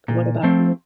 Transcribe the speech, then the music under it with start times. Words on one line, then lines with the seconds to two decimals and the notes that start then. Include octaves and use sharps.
what about you?
0.08 A#2
0.43 F3 A3 C4